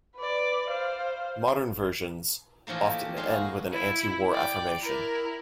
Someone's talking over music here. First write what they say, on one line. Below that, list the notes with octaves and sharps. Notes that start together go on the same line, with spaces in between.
Modern versions often end with an anti-war affirmation.
B4 D5
C5 F5
A#2 E3 F3 A3 A#3
G4
G#3 D#4 F4 F5
F#4
E4
D5 G5
E4 A#4